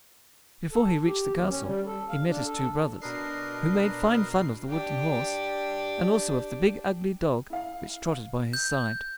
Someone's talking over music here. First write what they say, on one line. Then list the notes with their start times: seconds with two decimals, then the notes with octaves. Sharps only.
Before he reached the castle, he met his two brothers, who made fine fun of the wooden horse, and also of the big ugly dog which trotted by his side.
0.72 A4
1.06 G4
1.35 D#2
1.50 C#4
1.64 G3
1.86 A4
2.09 F5
2.27 D4
2.45 A4
3.02 B2 D4 A#4 B4 D#5 C7
4.69 D4 G4
7.50 E4 F5
8.53 G6